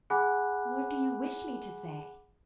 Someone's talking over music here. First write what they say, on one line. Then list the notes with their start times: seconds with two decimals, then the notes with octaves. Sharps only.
"What do you wish me to say?"
0.10 G#4 F#5 G#5 B5 D6 F#6